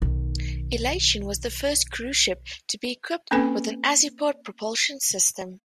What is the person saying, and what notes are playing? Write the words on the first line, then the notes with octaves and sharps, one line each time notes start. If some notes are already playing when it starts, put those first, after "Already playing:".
"Elation" was the first cruise ship to be equipped with an Azipod propulsion system.
B1 D#3
A#3 C4 C#4 A4 B4 G#5